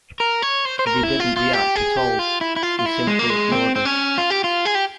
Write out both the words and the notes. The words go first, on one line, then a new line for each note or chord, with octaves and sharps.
They didn't react at all; they simply ignored us.
A#4
C#5
C5
C5
A#4
E4
F4
F4
G4
G#4
G4
F4
E4
E4
F4
F4
E4
G#3
A#3
G#3
C4
C4
C#4
F4
G4
F4
G#4
G4